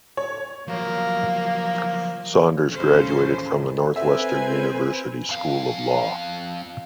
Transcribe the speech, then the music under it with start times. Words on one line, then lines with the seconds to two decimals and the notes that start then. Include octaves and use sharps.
Saunders graduated from the Northwestern University School of Law.
0.17 C#5
0.67 F3 F#3 A#3
2.70 D#2 A2 C#3 E3 F3 C#4 A4 C5
3.96 C4 A4 B4 E5 G#5
5.29 F2 F5